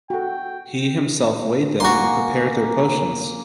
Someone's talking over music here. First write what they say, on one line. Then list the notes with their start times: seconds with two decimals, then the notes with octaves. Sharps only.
He himself weighed them and prepared their potions.
0.10 F#4 A4 G5
1.80 A#3 F#4 G#5 C6